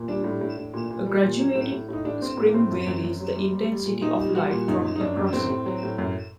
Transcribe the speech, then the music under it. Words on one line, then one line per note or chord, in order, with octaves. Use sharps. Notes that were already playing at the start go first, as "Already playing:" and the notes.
A graduated scrim varies the intensity of light from across it.
Already playing: A#2
G3 D4
A2
A2
A2
A#2
A#2
G3
A#2
F#3
A2
A2
A2 D#4
A2 D4
A2 C4
A2 A#3
A#3
A2 C4
F#2
F#2
F#2
F#3
G3
G3
G3
A#2
A#2 D#4
G3
G3 F#4
A#2
F#2 D#4
F#2
D#4
F#2 D4
F#2
A2 C4
A2
F#3
A2
F#2